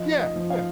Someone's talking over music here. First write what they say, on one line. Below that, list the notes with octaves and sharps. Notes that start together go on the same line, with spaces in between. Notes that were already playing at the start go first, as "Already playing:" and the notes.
Yeah, yeah.
Already playing: F3 D#5
D#5
F3
F5